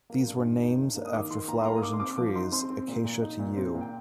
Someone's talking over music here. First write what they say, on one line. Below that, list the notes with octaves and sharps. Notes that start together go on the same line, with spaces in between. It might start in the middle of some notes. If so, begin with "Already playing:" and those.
These were names after flowers and trees, Acacia to Yew.
A#3
G2
D#3
D#4
G2
A#3
D#6
D#3 D6
D#3 C6
A#3 A#5
C6
A#3 A#5
D#6
D#4 D6
C6
C4 D6
F3 D6
D#4 C6
C4 C6
C4
A#2
A#2
D#4
A#2
C4
A#2
G5